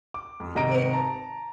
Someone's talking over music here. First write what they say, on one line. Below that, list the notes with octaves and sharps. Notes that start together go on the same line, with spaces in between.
i it
D6
F2
G#1 C3 D#5 A#5 A#6 D7
A5 A#5